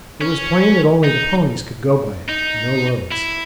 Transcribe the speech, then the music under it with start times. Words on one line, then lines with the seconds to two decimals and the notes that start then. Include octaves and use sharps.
It was plain that only the ponies could go by it--no loads.
0.21 C#4
1.04 D#4
2.28 D#4
3.12 E4